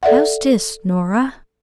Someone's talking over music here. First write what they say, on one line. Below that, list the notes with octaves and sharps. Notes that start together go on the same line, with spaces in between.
"How's this, Norah?"
A4 D5 E5 F#5